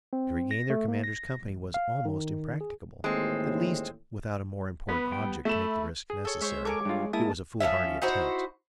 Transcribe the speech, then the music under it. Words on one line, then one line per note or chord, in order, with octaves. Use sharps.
To regain their commander's company was almost impracticable; at least, without a more important object to make the risk necessary, it was a foolhardy attempt.
C4
A#6
A3
A#3
A#6
A1
F5
D#3
G#4
A1 D#2 A2 G#3 C4
B3 B4
G3 G5
A3 E5 B5 E7
G#4
A4 C#5
G#3 C5 C#5 E5
A4 A#4 C#5 G#5 C#6 D6
G2 F4
G#3 A#3 E4 A5 D#6
F3 F#3 C#4 E5
D#4 E4 F#4 C5